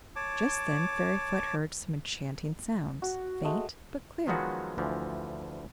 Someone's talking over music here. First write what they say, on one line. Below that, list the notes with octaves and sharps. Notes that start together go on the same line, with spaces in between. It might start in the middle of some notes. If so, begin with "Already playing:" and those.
Just then Fairyfoot heard some enchanting sounds, faint, but clear.
C#5 A5 D6
F#4
G#3 A3
D#3 F3 F#3 G#3 B3 F#4
D2 E3 F3